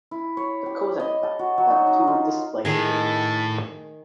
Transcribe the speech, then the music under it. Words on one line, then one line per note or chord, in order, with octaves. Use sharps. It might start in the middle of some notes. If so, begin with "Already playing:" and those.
The Kodak back had two display screens.
E4
C#5
G4
D#5
A4
F#4
F#3
D#4
D#4
F4
A2 D#3 G#4 A4